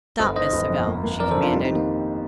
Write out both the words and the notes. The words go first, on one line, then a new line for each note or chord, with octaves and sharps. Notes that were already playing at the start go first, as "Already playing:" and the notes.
"Stop, Miss Savell," she commanded.
G1 C5 D#5
D#3 C5 D#5
G1
F2
A#3
A#3
F2 A#4 D5
A4 C5
F2
D4 F4
G3 C4 D#4
C4 D#4
D#3 A#3